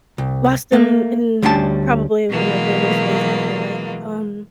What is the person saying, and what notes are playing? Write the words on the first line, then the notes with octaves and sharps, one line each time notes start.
lost them in probably one of the worst ways, I feel like, um
C2
A3 A#3
D2 G3 C#4 D4 F#4 A5
B2 E3 F#3 G#3 A#3 F4